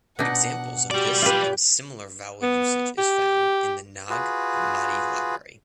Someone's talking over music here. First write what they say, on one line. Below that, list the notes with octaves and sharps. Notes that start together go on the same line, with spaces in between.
Examples of this and similar vowel usage is found in the Nag Hamadi Library.
B2 D4 D#4 F#5
G3 F#4 G4 D5
F4 G4 B4
B3
G4
F4 F#4 G#4 B4